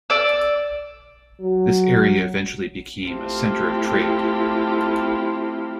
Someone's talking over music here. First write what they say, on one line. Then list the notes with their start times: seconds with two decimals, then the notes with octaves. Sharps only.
This area eventually became a center of trade.
0.10 D5 E6
1.40 F#3
3.05 A3 C4 E4 F4 G4 A4